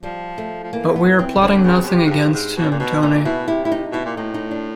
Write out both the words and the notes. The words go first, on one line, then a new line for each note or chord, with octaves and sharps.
But we are plotting nothing against him, Tony.
F3 G3
A3
F3
E3 A#3
B3
C4
D3 C#4
C4
C#3 B3
C4
B2
C3
G#2
G2
G#2
B2
C#4
A#2 D4
B2 D#4
A#2 D#4
B2 E4
C3 E4
E4
D#4
B2 E4
A#2
A2 D#4
D#4
D4